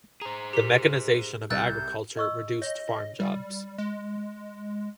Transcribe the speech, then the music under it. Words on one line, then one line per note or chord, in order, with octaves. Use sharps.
The mechanization of agriculture reduced farm jobs.
G#4 C5 A#5
G4 A#4 B6
C2 E6 F#6 G6 A6
D#5 C#6 E6
C#5 D#5
G3
G#3